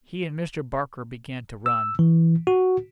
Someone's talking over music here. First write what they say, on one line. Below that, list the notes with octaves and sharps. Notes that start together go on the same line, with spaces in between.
He and Mr. Barker began to run.
E6
E3
F#4